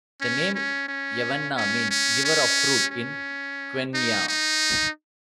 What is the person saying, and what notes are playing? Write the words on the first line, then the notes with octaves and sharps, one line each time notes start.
The name Yavanna means "Giver of Fruit" in Quenya.
C#4
C#4
C#4
C#4
C#4
C#4
C#4
D#4
D#4